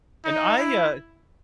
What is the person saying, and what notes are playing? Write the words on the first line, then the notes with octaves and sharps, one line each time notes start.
And I, uh
D#4
E4